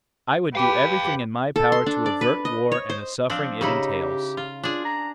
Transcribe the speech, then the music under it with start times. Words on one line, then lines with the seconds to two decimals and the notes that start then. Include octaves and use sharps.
I would do everything in my power to avert war and the suffering it entails.
0.55 G4 B4 F5 G5
1.56 A4
1.72 C6
1.86 D4
2.06 D5
2.21 B4
2.45 D#5
2.72 C#5
2.90 C5
3.30 F3 C4 D4
3.61 C#3 D#4 E4 G4
4.37 F4
4.63 D4 F4 G#4
4.85 A#5